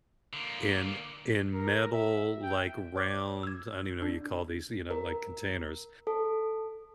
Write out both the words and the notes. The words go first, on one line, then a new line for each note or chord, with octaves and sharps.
in in metal, like, round- I don't even know what you call these- you know, like, containers,
D3 A#3
A#4
E5
G5
C#5 D6
E6 G#6
D4
A#4
A4